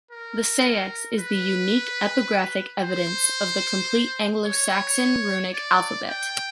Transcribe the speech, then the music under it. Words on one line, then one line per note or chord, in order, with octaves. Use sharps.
The seax is the unique epigraphic evidence of the complete Anglo-Saxon runic alphabet.
A#4
B4
C5
C#5
D5
G5